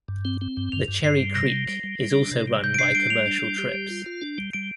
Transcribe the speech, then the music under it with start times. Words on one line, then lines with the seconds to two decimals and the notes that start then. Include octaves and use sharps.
The Cherry Creek is also run by commercial trips.
0.08 G2
0.25 C4
0.41 C4
0.57 G2
0.72 G2 F7
0.88 G2
1.04 G2 C7
1.20 G3
1.35 C3 A#6
1.52 G3
1.68 G3
1.83 G3
1.99 G3
2.15 D4
2.31 C3
2.48 G3
2.64 C3 G6
2.74 D7
2.79 D4 C7
2.95 G3 D7
3.10 G3 F7
3.26 D4
3.43 G3
3.58 G4
3.74 G3
3.90 F4
4.06 F4
4.21 D4
4.38 G3
4.53 G3 D7